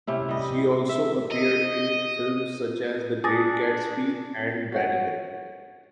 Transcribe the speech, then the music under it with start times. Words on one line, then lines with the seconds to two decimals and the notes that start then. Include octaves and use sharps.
She also appeared in films, such as "The Great Gatsby" and "Brannigan".
0.07 C3 C#4 E4
0.29 G3 D#5
0.89 E5
1.32 D#5
3.24 D4 G#4 D6 A6 A#6
4.72 F#4 C#5 D#5 F#5